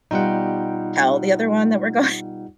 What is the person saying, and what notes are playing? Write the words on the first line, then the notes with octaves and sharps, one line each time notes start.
tell the other one that we're going
B2 G3 D#4 F4 G4 F#5